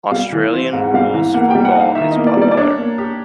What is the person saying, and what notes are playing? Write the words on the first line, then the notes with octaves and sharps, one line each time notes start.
Australian rules football is popular.
G3 F5
E3
C4
G#2 F5
F#5
G3 F5
E3
A#3 F#5
G3 G5
F#5
D#4 F5
D#3 E5
D#5
A#3
D5
G3 D5
D5
D4 C#5
A#3
G4